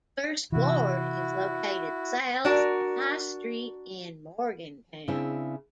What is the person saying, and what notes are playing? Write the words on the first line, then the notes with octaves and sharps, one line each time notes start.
First Ward is located south of High Street in Morgantown.
C3 E3 E4 F#4
D4 F#4 A#4
C#3 C4 D4 E4